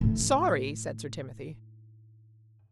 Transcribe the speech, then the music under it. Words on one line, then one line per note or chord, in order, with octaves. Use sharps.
"Sorry!" said Sir Timothy.
A2 D#4